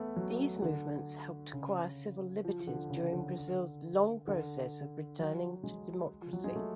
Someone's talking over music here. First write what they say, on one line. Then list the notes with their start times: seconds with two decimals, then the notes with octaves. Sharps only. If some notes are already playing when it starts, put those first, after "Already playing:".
These movements helped acquire civil liberties during Brazil's long process of returning to democracy.
Already playing: A3 B3
0.16 F#3
0.62 D3
1.53 C#3
2.45 F3
2.60 F3
2.67 D3
2.90 C#3
3.13 D3
4.27 D3
5.19 F#3
5.64 G#3
6.22 F3
6.33 F#3
6.44 G#3
6.56 A3